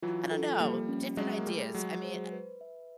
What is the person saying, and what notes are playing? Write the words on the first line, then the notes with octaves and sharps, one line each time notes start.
I don't know, different ideas, I mean, eh
E3 F#3 F4
A4
F3 G3 A#3
C#4
F#3 G#3 E5
A#3
G3 A3 G#4
F#3 G#3 G#4
C5
B4
E5